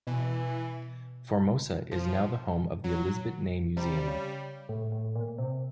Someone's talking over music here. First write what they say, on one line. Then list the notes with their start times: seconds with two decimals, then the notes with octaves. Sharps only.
Formosa is now the home of the Elisabet Ney Museum.
0.07 B2 E3
1.91 F3
2.84 F#3
3.77 C3 G3
4.08 C#3
4.69 A2
4.92 A2
5.15 A#2
5.38 C3